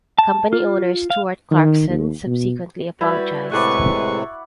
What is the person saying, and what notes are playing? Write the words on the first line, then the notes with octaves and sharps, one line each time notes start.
Company owner Stuart Clarkson subsequently apologised.
A5
F4
F5
D#3
D#2
B2
G3 E4 F#4 B4
A2 C3 G#3 G#4 B4 D5 F#5 C#6